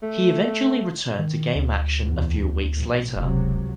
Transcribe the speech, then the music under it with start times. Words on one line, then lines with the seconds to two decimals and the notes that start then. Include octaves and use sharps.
He eventually returned to game action a few weeks later.
0.02 A3
1.19 D#3
1.55 D2
2.04 E2
2.75 B1 A2
3.16 E1 C#2 C3 F#3